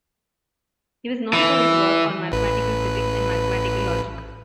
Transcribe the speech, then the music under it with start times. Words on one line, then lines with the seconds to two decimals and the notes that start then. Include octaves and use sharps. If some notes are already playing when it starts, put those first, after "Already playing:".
He was known for his work on mathematical physics and mathematical logic.
1.33 E3
2.32 A1 B4